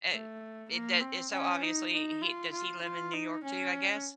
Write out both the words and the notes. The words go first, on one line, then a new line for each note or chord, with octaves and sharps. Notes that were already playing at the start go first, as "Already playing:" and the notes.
It it doe and so obviously he does he live in New York too, I guess?
A3
A#3
C4
C#4
D#4
D#4
F4
F4
F4
D#4
C#4